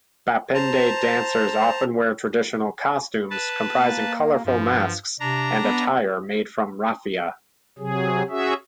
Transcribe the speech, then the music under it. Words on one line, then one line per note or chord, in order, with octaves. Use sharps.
Bapende dancers often wear traditional costumes comprising colorful masks and attire made from raffia.
C5 A5 A#5
B4 A5
A#3
G2 F3
C3 D4 A#5
B3
C3 F#3 G#4
C#4 F#4 G#4 E5